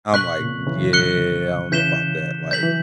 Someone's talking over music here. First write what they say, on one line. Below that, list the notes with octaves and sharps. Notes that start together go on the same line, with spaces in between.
I'm, like, "Yeah, I don't know about that," like
B2 C#6 F#6 B6 F#7
A#2 C#3
C#3 E3
D3 F#3 F#6 C#7 G7
C#3 E3 G6 B6 E7 G7
F#3 G6 B6 F#7
E3